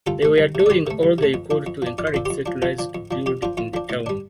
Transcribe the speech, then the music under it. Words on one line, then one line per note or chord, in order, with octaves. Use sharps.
They were doing all they could to encourage settlers to build in the town.
C2 F4 A4
C3 A3
C2
C3 A3
D5
C2 G4 C5
C3 A3
C2
C3 A3
F2
F3 D4
F2
F3 D4
F2 D5
C5
F3 D4 A4
F2 G4 C5
F3 D4
F2 F4 A4
F3 D4
F2
F3 D4
F2 G4
F3 D4 F4
F2 F4
F3 D4
A2
G3 D4